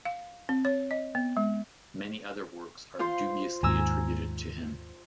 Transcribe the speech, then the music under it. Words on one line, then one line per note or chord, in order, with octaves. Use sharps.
Many other works are dubiously attributed to him.
F5
C4
C#5
D#5
B3
G#3
F4 C5 C6
D#2 G#2 G#5 A#5 E6